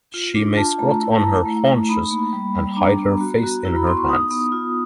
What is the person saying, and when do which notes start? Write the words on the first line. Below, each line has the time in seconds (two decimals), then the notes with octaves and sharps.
She may squat on her haunches and hide her face in her hands.
0.14 F4
0.35 D4
0.57 F4 A5
0.79 A3 A#5
1.01 E4 A5
1.23 E4 A#5
1.46 A3
1.67 A3
1.89 D#4 B5
2.11 A#3
2.33 G3
2.55 G3
2.76 D4 A#5
2.99 B3
3.21 F#4
3.43 F#4
3.65 E4 A#5
3.76 B5
3.87 B3 C6
3.97 C#6
4.09 D#4 D#6
4.31 B3
4.52 F4